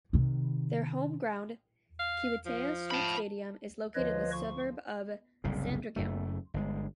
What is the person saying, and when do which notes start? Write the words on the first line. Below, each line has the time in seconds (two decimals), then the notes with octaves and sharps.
Their home ground, Kiwitea Street Stadium, is located in the suburb of Sandringham.
0.13 C3 D#3
1.99 F5
2.46 F3
2.91 A5 B5
3.95 D2 F3 B4 C#5 D#5
4.32 C#6
5.44 F#1 C2 A2 C#3
5.96 F#1 F#2 A3
6.54 G1 G#3